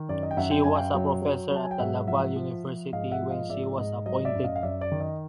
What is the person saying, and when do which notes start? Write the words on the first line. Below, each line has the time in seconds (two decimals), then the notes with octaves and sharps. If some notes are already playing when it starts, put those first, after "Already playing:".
She was a professor at Laval University when she was appointed.
Already playing: D#3
0.09 F#2 D5
0.23 D#5
0.31 G5
0.37 F#2 E5 F#5
0.51 G5
0.64 F#2 G#5
0.76 F5 G5
0.94 F#3
1.22 F#3
1.51 F#3 A5
1.63 G#5
1.71 G5
1.79 G#2 E5 F#5
2.07 F3 E5 F#5
2.36 F3
2.65 F3
2.93 G#2 D#5 F5
3.11 E5 F#5
3.22 F3
3.30 D#5 F5
3.49 G#2 D5 E5
3.78 G#2 D#5
4.06 F#3 D#5
4.25 D5 E5
4.35 F#2
4.44 D#5 F5
4.56 F5
4.63 F#2 D5 E5
4.81 D5
4.91 D#3
5.00 D#5